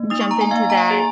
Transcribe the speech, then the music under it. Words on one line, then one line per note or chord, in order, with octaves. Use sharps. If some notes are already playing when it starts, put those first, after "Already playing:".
jump into that,
Already playing: A#3
D#4 D#6
C#6
A#5
G#5
A#3 F5
A#5
G#5
G#4